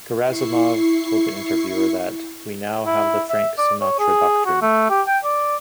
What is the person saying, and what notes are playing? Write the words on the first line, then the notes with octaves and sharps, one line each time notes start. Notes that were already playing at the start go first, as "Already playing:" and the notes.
Gerasimov told the interviewer that, We now have the Frank Sinatra doctrine.
E4 C#6 C7
E4
E5
D5
C#5
G#4
F#4
A3
G4
G5
D5